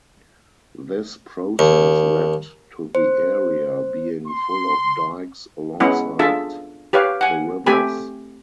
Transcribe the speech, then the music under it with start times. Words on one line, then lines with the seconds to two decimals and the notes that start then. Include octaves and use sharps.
This process led to the area being full of dikes alongside the rivers.
1.59 D#2
2.95 C5
4.27 C6
5.80 G#3 B3 C#4 E4 F#5
6.19 D4 F4 G#4 A4 E5 A5
6.93 G4 B4 C#5 F5
7.21 F#5 G#5
7.66 A3 C4 G4 G#5 B5